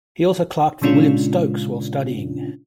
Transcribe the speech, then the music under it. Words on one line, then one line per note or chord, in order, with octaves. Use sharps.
He also clerked for William Stokes while studying.
A#2 C#3 G#3 C#4 D4 F4